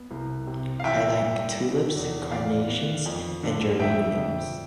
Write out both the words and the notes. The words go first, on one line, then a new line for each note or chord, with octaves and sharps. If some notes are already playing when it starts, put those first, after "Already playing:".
I like tulips, carnations, and geraniums.
Already playing: B3
C2
C3
F5
E3 E5 G5
G2
B2
E2
E3 D5 F5
B3
F2
D3
F2 E5 G5
F2